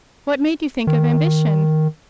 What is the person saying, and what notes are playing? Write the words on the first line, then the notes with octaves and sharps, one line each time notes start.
What made you think of ambition?
D#3